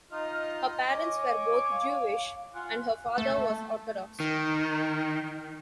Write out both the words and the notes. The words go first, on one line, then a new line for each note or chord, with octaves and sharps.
Her parents were both Jewish, and her father was Orthodox.
D#4 F4 D#5 F6
C#5 G#5 D6
F5
F4 F#5 G#5
A3
D#3